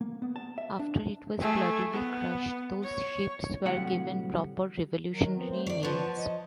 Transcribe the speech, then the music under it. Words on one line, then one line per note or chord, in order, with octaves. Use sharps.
After it was bloodily crushed, those ships were given proper 'revolutionary' names.
A#3
B3
A5
E5
D4
A3 G#4
B3
C#5
D2 A2 C3 F#3 G3 F#5
D#3 F#3
B3 C4
F#3 A3 C5
C3 C#5 D5
F3 B4 C#5 F#5 A5
D#5